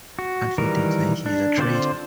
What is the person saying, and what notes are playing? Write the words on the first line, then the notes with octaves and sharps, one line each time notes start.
Unfortunately, he is a traitor.
F#4
D#3 E3 G3 A#4
D4
D3 C4 F4 C5 D5